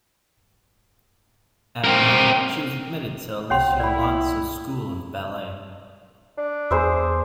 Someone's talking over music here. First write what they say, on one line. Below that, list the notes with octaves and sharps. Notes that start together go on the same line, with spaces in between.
At nine, she was admitted to the Alicia Alonso School of Ballet.
C4 A#4
C2 C#5 F#5 G5 C6
E4 D5 B5
D4
E2 G#4 C5 E5